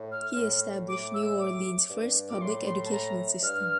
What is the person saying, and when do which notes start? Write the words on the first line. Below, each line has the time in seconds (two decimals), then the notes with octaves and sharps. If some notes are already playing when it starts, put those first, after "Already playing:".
He established New Orleans' first public educational system.
Already playing: A2
0.11 F6
0.36 A2
0.88 D6
1.14 E6
1.39 D6
1.89 G2
2.29 A#2 D6
2.41 A2 C6
2.66 C6
2.85 A5
2.91 A#5
3.42 G2 F6